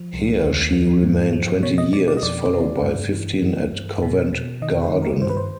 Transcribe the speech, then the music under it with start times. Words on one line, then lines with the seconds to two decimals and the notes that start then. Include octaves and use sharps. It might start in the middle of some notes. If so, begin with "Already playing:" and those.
Here she remained twenty years, followed by fifteen at Covent Garden.
Already playing: F3
0.13 C2
0.43 D#2
0.73 F3
1.03 G#2
1.33 F3
1.63 B2 C#5
1.78 D#5
1.93 B2 D5
2.08 D5
2.17 D#5
2.22 F2 D5
2.53 C3
2.82 G2
3.13 E3
3.43 E3
3.72 G2
4.02 B2
4.33 B2
4.62 D#3 D#5
4.82 B4
4.92 D#3
5.02 A#4
5.21 G2 C5
5.29 B4
5.37 C5